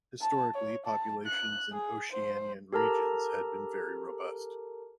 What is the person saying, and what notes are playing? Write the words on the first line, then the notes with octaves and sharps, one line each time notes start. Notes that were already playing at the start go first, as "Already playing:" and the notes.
Historically, populations in Oceanian regions had been very robust.
A5
C#5
A5
F#6
G#4
C5
G4 A4 A#4 A5 A#5